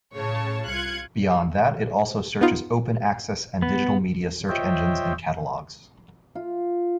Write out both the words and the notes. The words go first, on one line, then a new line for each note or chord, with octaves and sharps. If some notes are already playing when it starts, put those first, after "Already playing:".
Beyond that it also searches open access and digital media search engines and catalogs.
A2 C#3 C#5 A5
C2 F4 F#6 G#6 C#7
B3 D#4 F4
B3
F4 C5 C#5 D#5 E5 G5
F4